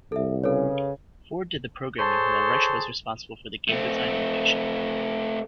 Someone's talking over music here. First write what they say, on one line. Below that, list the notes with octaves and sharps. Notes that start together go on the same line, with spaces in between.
Ford did the programming, while Reiche was responsible for the game design and fiction.
C2 A4 E5
C#3 A4 B4 C#5
G#4 A4 C5 C#5 A5
A3 C4